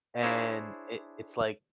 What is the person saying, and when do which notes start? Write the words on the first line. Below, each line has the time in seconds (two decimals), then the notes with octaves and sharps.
And it it’s like
0.23 D4 E4 G#4 C5 C#5 E5